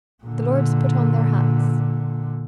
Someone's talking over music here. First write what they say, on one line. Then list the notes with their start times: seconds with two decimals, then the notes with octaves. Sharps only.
The lords put on their hats.
0.24 A#2 D3